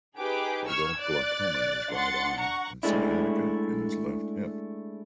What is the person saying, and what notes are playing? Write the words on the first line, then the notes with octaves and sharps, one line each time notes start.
He developed glaucoma in his right eye, and sciatica in his left hip.
D#4 G4 G#4 B4 D6
C#6 E6 F6 G#6
D5 F#6 A6
D4 F#5 C6 A6 C#7
F#5 A#5 C#6
G#3 A3 D4 E4